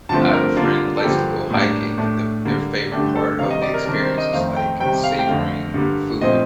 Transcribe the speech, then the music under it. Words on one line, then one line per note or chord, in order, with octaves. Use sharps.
I have a friend that likes to go hiking and the their favorite part of the experience is, like, savoring food
G2 D3 F3 A3 C4 A5
A#4
D3 G3 A#3 D4 F4
A4
G2 D3 F3 A#3 G4
A2 G3 A#3 D4
A2 A3 D4
D3 G3 A#3
G2 D3 A3 D4 G4
A4
C3 D#3 G3 F5
D#5
D5
A#4
C3 D#3 G3 D4 A#4
C5
D#5
F2 D#3 A3 C4 F5
G5
C3 D#3 G3 C4 G5
F5
G5
F2 D3 A3 F5
G2 D3 G3 A#3
A#2 F3 A3 C4 D#5